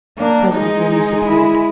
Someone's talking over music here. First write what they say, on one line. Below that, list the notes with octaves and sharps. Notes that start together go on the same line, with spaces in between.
Presently Louise appeared.
A#3 D4
G#3 D#4
E4